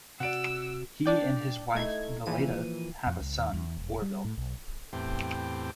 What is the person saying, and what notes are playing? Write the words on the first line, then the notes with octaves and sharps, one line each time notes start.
He and his wife, Valeda, have a son, Orville.
C3 F#4 D5 F#5 E6 D7
D4 D5 G5
A3 D#4 E4 G#6
A#2 E3 F3 D#7
F2
C#2
D#2
E2
E1
G3
A2
B1
E2 A2 C4 G4